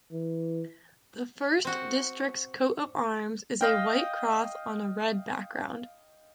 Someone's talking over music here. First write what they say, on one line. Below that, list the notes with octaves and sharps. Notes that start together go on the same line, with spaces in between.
The first district's coat of arms is a white cross on a red background.
E3
C4 F#4
D#5 F5 G5